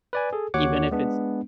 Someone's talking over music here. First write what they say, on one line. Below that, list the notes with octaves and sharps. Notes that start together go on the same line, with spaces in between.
Even if it's
B4 D5 G#5
G#4 A4
D#2 F#4 C#5 F#5 D6
G#3 B3 D4